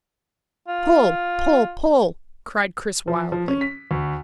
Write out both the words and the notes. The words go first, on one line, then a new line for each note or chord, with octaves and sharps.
"Pull, pull, pull!" cried Chris wildly.
F4
F3
F3
C#4
B6
D2